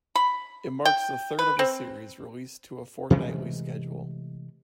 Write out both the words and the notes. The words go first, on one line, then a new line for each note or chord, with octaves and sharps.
It marks the third of the series released to a fortnightly schedule.
B5
G5
B4
C4
C3 E3 G#3 A3